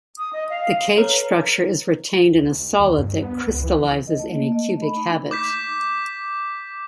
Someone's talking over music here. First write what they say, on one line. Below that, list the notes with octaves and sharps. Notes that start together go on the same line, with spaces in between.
The cage structure is retained in a solid that crystallizes in a cubic habit.
D#6
D#5
F5
A4 B4 C#5 A#5 F6
D2
D#2
G2
B3
C#2
E3
D#5
A3
A#3
D#5
A3
B5
D#4
D6 G6 B6